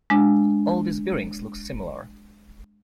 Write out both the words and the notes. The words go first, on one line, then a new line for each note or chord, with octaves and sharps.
All these bearings look similar.
G#3 D4